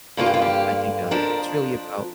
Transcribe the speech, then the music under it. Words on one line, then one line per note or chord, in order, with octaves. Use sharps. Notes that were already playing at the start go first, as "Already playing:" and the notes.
uh, you know, I think, uh, it's really about,
G2 D3 A#3 F4 A#4
G4
F4
G4
F2 F3 D4 A#4